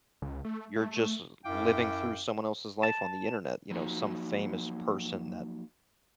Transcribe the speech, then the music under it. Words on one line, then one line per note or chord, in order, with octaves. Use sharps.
you're just living through someone else's life on the Internet, you know, some famous person that
C#2
A3
A3
F#2 E4 F5 G5 D6
A5
F3 F#3 A#3 D#4 F#4